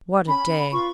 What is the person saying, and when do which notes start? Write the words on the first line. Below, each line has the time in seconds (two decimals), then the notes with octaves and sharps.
What a day!
0.27 C#4 B5
0.72 F4 B4 C#6